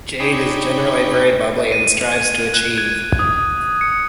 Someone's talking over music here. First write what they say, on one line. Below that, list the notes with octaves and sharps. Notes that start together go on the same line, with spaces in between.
Jade is genrally very bubbly and strives to achieve.
D4 D#4 C#5 G5 G#5 B5
D#7
G#6
F#6
G#6
D#6
C#7